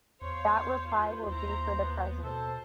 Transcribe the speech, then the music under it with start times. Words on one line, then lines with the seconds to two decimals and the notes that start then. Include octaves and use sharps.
That reply will do for the present.
0.22 E2 C5 C#5 F5
0.88 F4 B4
1.27 D#2 E4 C5 A#5
1.80 B3
2.23 B2 A4 C5